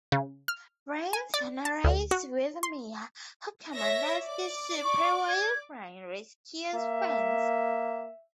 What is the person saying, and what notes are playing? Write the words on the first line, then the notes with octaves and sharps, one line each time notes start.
Brian soon arrives with Mia, who commandeers the Supra while Brian rescues Vince.
C#3
F6
G#5
D5
A5
D2
F#4
C6
C#5 E5 A#6
D5 D6
C#6
G#6
A#3 E5